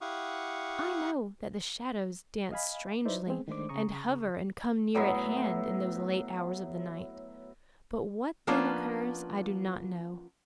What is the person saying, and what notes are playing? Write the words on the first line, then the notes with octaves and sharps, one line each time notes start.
I know that the shadows dance strangely, and hover and come near at hand, in those late hours of the night; but what then occurs I do not know.
E4 G4 F5 F#5 C#6 D#6
D#5 F5 G#5 B5
D#4 E4 B4 C5 D5 E5
G#3 B3 C4 G#4
D#3 G#3 A3 D4 C5 D6
C#3 G#4 A#5 C#6 D#6
A2 F#3 B3 E5
F3 A#3 B3 C#4 D4 F4